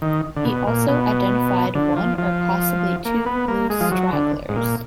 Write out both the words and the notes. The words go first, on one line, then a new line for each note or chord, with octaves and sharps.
He also identified one or possibly two blue stragglers.
D#3
D3
B2
A#2
B2
D3
F3
F3
A#3
B3
A#3
G#3
F3
F#3
D3
G#2
A#2